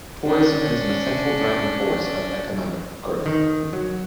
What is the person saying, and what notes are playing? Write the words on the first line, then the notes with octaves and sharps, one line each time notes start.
Tourism is an essential driving force of economic growth.
C#4 D4
D#3
F#3